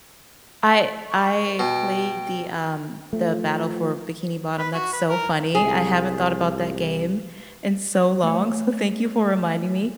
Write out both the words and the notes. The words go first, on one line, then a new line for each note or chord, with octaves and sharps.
I I played the, um the Battle for Bikini Bottom, that's so funny, I haven't thought about that game in so long, so thank you for reminding me.
C#6
B2 G5
F3 A3
B4
F#4
B4
A#4
C2 G#4
A3 C#5